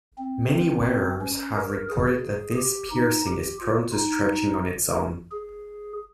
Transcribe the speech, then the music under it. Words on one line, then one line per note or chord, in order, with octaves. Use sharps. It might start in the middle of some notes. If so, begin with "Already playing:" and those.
Many wearers have reported that this piercing is prone to stretching on its own.
C4
C#4
A#4
G#4
G4
D#4
G4
F4
D#4
G#4